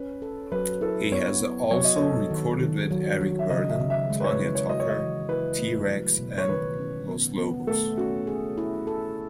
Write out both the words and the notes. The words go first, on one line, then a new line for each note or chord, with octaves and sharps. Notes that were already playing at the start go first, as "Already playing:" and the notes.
He has also recorded with Eric Burdon, Tanya Tucker, T. Rex and Los Lobos.
Already playing: C#4 B4
A4
F#3 B4
E4 A4
B3 C#5
B3
F#3 C#5
D#5
A4 C#5
D#3
D#3
F#3
F#3
E5
C#3 D#5
E5
C#3
E5
G#3
B4
C#5
E4
C#5
F#4 D#5
C#5
D#5
E3
E4 B4
A3
F#3
B2
C#5
D#3 B4
C#4
B3
B3
A3 A4
C#4 F#4
G#4
E4
A4